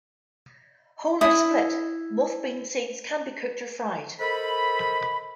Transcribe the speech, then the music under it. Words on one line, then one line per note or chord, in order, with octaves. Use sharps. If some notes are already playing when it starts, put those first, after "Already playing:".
Whole or split moth bean seeds can be cooked or fried.
E4 D#6
A4 A#4 C5 D#5 B5